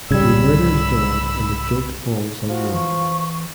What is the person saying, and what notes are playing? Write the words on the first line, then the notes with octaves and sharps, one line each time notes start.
He murders Dodd and the guilt falls on Will.
C2 G#2 C#3 G3 B5 E6 G#6
F3 F#4
E3 C#6